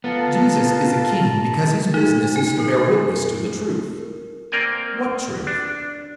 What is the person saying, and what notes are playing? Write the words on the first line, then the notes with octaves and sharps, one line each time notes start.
Jesus is a king because his business is to bear witness to the truth. What truth?
B3 F4 A4 A5 A#5
D#4
G#5
A#4
A#3 C4 A#4 D5 G5 G#5
D4